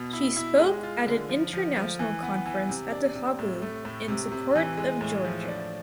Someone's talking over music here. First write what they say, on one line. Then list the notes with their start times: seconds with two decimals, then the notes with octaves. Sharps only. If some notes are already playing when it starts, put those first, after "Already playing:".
She spoke at an international conference at The Hague in support of Georgia.
Already playing: B2
0.13 E4
0.37 E4
0.59 G#3
0.83 F4
1.07 D3
1.29 F3
1.53 F3
1.76 F3
1.99 E3
2.23 B3
2.46 E3
2.69 C3
2.92 D4
3.15 C3
3.39 A2
3.62 A3
3.85 A2
4.08 C3
4.31 C3
4.56 E3
4.78 G#3
5.01 A2
5.25 F3
5.48 D4